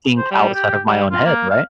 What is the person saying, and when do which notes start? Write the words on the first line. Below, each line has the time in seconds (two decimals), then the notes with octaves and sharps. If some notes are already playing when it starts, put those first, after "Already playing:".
think outside of my own head," right?
0.18 C5
0.31 G3
0.55 G4
0.87 G3
1.12 F4
1.26 A#3
1.50 F5